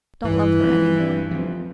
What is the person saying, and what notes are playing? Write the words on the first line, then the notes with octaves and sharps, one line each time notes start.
Don't love her any more.
G2 E3
F3 C4
G2
F3 C4